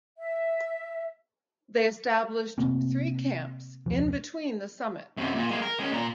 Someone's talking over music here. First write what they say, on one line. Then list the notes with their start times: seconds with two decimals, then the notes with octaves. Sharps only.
They established three camps in between the summit.
0.18 E5
2.58 C3 A3 A#3 C4
3.86 E1 C#2 F3
5.17 F#2 C3
5.35 A#2
5.50 G#3 A#3
5.62 A#4
5.79 G#3 C#4
5.92 A#2 A#5